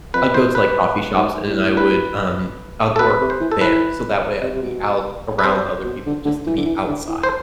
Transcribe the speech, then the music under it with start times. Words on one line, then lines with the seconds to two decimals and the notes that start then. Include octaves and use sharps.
I'd go to, like, coffee shops and then I would, um, I would work there, so that way I'd be out around other people just to be outside.
0.14 F2 B4
0.34 E2 C5
0.55 B4
1.16 G#2
1.47 A2
1.77 B4
2.96 A4
2.99 B2 B4
3.20 C3
3.30 C5
3.40 E3
3.51 A4
3.61 E3 B4
4.42 C3
4.56 C3
4.62 B2
5.39 B4
5.44 C3 C5
5.85 B2
6.06 D3
6.25 D3
6.46 E3
6.58 D3
6.66 E3
6.87 D3
7.08 E3
7.23 C5